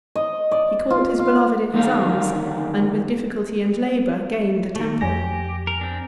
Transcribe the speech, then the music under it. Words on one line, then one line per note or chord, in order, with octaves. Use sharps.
He caught his beloved in his arms, and with difficulty and labor gained the temple.
D#5
D5
F4
F5
F2 D3 D#3 G3 A#3 F5
D#3 A3
F2 G4 G#5 A#6
A#4
C4 D4